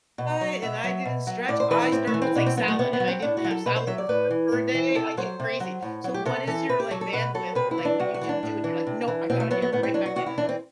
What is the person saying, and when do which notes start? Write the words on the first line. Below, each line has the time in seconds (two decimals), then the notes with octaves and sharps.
go by, and I didn't stretch, I start it's like salad, if I didn't have salad or fruit for a day, I get crazy. So what is your, like, bandwidth for, like, when you didn't do it and you're like, "No, I gotta get right back in it."
0.18 B2
0.41 F#3
0.62 B2 E5
0.84 F#3
1.05 B2
1.27 F#3
1.48 A2 D5
1.60 C5
1.71 E3 B4
1.82 E4
1.92 A2 C4
2.07 A3
2.14 E3
2.22 C4
2.36 B2 D4
2.46 C4
2.57 F#3 B3
2.68 A3
2.79 C3 B3
2.93 B3
3.00 F#3
3.08 C4
3.22 A2 D4
3.37 F#4
3.44 F#3
3.51 A4
3.66 B2 B4
3.76 C5
3.87 F#3 E5
3.98 D5
4.09 A2 B4
4.31 E3
4.52 A2
4.74 E3
4.95 C3 A4
5.17 F#3 C5
5.40 C3
5.60 F#3
5.82 A2
6.04 F#3
6.14 G4
6.26 C3 A4
6.47 E3 A4
6.69 C3 B4
6.80 G4
6.91 F#3 A4
7.01 A4
7.13 B2 B4
7.35 F#3 A4
7.55 C3 B4
7.71 E4
7.78 E3
7.85 D4
8.00 C3 F#4
8.14 F#4
8.21 E3
8.29 D4
8.43 A2
8.64 E3
8.87 C3
9.08 E3
9.30 B2 C4
9.40 A3
9.51 F#3 B3
9.62 B3
9.73 A2 B3
9.83 C4
9.94 F#3 D4
10.06 F#4
10.16 C3 F#4
10.26 E4
10.38 E3 D4
10.49 C4